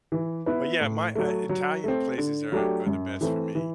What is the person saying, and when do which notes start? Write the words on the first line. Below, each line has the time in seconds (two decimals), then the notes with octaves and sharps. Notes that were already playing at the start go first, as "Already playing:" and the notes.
But, yeah, my, uh Italian places are are the best for me.
0.12 E3
0.46 B3 E4 B4
0.80 A2
1.15 F#3 A3
1.49 F#3
1.84 A3 C4
2.18 D3
2.52 F#3 A3 D4 G4
2.86 F#2
3.21 E3 A3 C4
3.55 E3